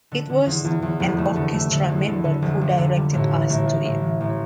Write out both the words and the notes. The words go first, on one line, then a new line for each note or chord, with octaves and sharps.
It was an orchestra member who directed us to it.
D3
D3
E2
E2
E2
F1
A3
D3
A3
D3
E2
D3
D3
F1
F1
D3
G3
A1
E3
A1
A1
A1
E3
A1